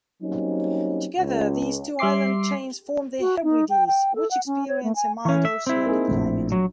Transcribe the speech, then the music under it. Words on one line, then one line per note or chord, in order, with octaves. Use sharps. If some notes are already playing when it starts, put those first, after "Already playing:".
Together these two island chains form the Hebrides, which experience a mild oceanic climate.
F#3 G3 A#3 C4 C#4 D#4
C#2
G3 E5 C6 D6 C7
F#4
D#4
G5
G5
A4
F#5
C#4
C#5
A3
G#5
E3 C#4 C#6
E5
C4 E4
A#3 D#4 G#4
A#1 A2
F#3